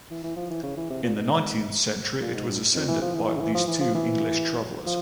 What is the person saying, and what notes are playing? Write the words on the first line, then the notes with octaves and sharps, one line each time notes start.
In the nineteenth century it was ascended by at least two English travelers.
E3
E3
F3
E3
C#3
E3
C3
A#2
G#2
A#2
G#2
G2
F2
E3
F3
E3
E3
C#3
E3
F3
E3
F3
E3
F3